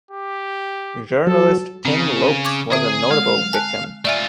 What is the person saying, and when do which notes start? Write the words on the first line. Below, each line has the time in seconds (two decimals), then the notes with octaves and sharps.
Journalist Tim Lopes was a notable victim.
0.11 G4
1.27 F#3 A4
1.85 C#3 C4
2.45 C#6 D6 G#6
2.72 D3 C4 G#4 E5
3.11 G#3 F5
3.53 G#5 A5 F#6
4.05 A3 F4 D5 E5 G#5